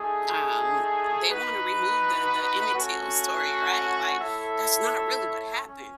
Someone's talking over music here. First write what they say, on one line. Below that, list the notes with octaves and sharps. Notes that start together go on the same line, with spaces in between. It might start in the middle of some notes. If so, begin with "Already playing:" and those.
um, they wanna remove the the Emmett Till story, right? Like, "That's not really what happened."
Already playing: A3 D#4 G#4
D#4 F#4 B4
A3 C#4 F#4
A3 E4 A4 C#5 E5
C#4